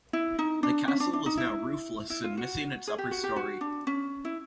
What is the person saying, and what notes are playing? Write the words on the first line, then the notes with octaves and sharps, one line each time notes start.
The castle is now roofless and missing its upper storey.
E4
D#4
D4
C#4
D4
D4
D#4
E4
E4
F4
F#4
G#4
G4
F#4
G4
F#4
D4
C#4
E4